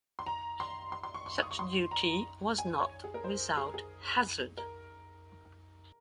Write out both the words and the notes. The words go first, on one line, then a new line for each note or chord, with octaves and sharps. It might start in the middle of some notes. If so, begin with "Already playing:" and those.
Such duty was not without hazard.
C6
A#5
C6
C6
C6
C#6
C#6
D#6
C#6
C6
A#5
G#5
C#5
G#4
A#4
C5
G#4
A#4
G#4
A#4